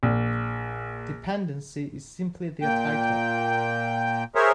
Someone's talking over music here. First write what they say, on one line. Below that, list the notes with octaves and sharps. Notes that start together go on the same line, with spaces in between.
Dependency is simply their title.
A#1
A#2 G5
G#4 A#4 C5 C#5 E5